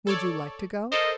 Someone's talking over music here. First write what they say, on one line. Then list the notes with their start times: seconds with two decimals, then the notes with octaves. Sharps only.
"Would you like to go?"
0.07 A4 C#5 D5
0.92 A4 A#4 C5 D#5